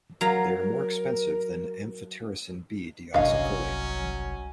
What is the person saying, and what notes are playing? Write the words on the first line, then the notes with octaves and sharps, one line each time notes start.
They are more expensive than amphotericin B deoxycholate.
F#3 A#4 F5 A#5
G1 C2 F#3 C#4 D4 D#5 F5